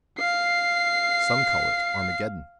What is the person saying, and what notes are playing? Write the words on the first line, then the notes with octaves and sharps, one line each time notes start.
"Some call it Armageddon."
F5 C7